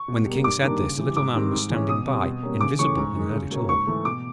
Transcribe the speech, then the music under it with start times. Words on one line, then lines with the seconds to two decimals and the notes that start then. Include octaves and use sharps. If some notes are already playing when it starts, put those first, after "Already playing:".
When the King said this, the Little Man was standing by, invisible, and heard it all.
Already playing: C#6
0.08 B2
0.26 G3 A#3
0.44 G2 D6
0.63 D#3 G3 A#3 D4
0.80 C#3
0.98 E3 G3
1.16 G#2 D6
1.35 D#3 G3 C4
1.53 G#2
1.70 E3 G#3 C#4
1.88 B2 D#6
2.06 G3 C4
2.25 B2
2.43 G3 A#3 C#4
2.61 C#3 D6
2.79 E3 A3 C#4 C#6
2.97 G#2
3.16 D#3 G#3
3.33 C#3
3.51 F#3 A#3 C#4
3.69 G#2 C#6
3.87 E3 A3
4.05 B2 D6